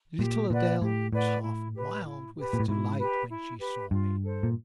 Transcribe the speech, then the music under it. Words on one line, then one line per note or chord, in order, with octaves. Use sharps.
Little Adele was half wild with delight when she saw me.
A#2 G4
A#2 B4 D5 F#5
A2 G4
A2 B4 D5 F#5
E4
G4 B4
E4
G4 B4
A#2
A2
G#2 E4
G4 B4
E4
G4 B4
G2 F4
A4 C5
A#2